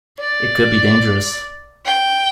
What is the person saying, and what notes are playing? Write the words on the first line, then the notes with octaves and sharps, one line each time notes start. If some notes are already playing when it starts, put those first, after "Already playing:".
It could be dangerous.
D5
G5